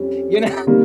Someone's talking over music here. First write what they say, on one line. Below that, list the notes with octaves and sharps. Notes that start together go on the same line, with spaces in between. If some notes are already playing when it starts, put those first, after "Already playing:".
you know?
Already playing: F2 G3 C#4
C3 D#3 G3 A#3